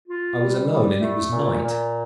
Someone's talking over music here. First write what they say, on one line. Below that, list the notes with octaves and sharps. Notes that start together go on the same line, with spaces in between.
I was alone and it was night.
F4
G3
G3
A3
A#2
A#2